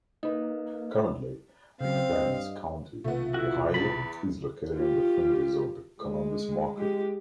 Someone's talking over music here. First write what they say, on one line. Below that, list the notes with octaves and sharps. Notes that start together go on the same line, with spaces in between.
Currently Athens County, Ohio is located in the fringes of the Columbus market.
A#3 D#4 B4 D#5
C#3 F#3 C4 F5
G2 D#5
B1 C3 D#3 A3 B3 F4
E4 F#4
E2 B5 A6
F4 G4
G#3
G#3 G4